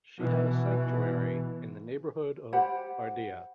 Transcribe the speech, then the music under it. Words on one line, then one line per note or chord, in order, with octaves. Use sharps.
She had a sanctuary in the neighborhood of Ardea.
B2 E3
G4 C5 F#5 B5